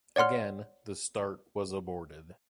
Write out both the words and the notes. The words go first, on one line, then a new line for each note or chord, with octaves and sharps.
Again, the start was aborted.
C#5 D5 F#5 C6 F6